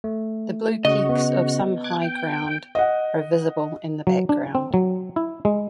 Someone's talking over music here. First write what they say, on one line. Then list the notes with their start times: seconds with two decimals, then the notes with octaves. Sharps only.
The blue peaks of some high ground are visible in the background.
0.04 A3
0.85 C#3 F#4 D#5
1.09 B3
1.84 D6 F#6 G#6
2.01 G5
2.75 D#5 F#5
4.07 F#3
4.29 D4
4.55 C4
4.74 F#3
5.16 E4
5.45 G#3